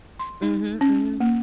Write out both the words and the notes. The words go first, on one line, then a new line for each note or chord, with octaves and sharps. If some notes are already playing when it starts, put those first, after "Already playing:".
Mhm, mhm.
C6
D#4
C#4
A#3